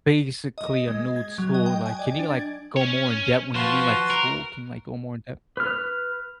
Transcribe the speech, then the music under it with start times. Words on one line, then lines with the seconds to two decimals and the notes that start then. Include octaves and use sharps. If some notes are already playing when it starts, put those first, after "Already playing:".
Basically a new tool, like, can you, like, go more in-depth when you mean, like, tool? Can you, like, go more in-depth?
0.58 D#5
0.88 G#3
1.16 G#6
1.38 F#3
1.54 D#5
1.66 G5
1.86 G#5
1.99 D5
2.19 D4
2.34 G#6
2.77 C#4 C#5
3.55 F3 F#4 B4 C6
4.10 A#4
5.57 B4 F6